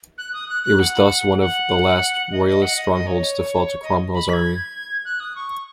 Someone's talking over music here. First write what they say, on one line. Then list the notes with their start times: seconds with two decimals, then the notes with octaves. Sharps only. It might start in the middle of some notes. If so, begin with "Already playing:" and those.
It was thus one of the last Royalist strongholds to fall to Cromwell's army.
0.18 F#6
0.33 D#6
0.49 F#6
0.64 F#6
0.79 F#5
1.40 F#5
2.32 D#5
2.46 D#5
2.62 F#5
2.76 D#5
2.92 D#5
3.07 C#5
3.83 D#5
4.14 B5
4.29 B6
4.33 G#6
5.05 F#6
5.20 D#6
5.36 C#6